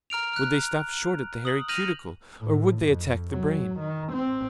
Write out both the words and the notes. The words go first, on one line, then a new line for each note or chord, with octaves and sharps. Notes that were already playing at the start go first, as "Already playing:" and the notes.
Would they stop short at the hairy cuticle, or would they attack the brain?
A#5 F6 D7 F7
F6 F#6
D#6 F#7
F6 G6 A#6 D#7 F7 F#7
A2
F2
F#3
D#3
C4